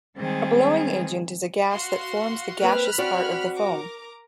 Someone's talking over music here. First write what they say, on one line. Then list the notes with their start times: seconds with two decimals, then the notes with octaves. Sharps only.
A blowing agent is a gas that forms the gaseous part of the foam.
0.17 D#3 G3 G#3 C4 G#4
1.71 F#4 F5 C6
2.61 A#3 C4 B4 B5 F6 F#6
2.98 C4 F#4 D5
3.58 A#4 A#5 D6